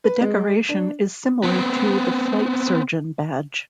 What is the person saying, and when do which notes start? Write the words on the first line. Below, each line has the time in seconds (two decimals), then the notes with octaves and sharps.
The decoration is similar to the Flight Surgeon Badge.
0.04 B4
0.21 G#3
0.69 D4
1.43 B3 C4